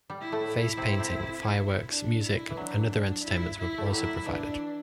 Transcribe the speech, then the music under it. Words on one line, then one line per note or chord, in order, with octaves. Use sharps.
Face painting, fireworks, music, and other entertainments were also provided.
G3
E4
A2 A3
C3 C4
C3 C4
D4
E4
E3
F#3 D4
D4
E4
E4
A3
G3
F#3 E4
E3 D4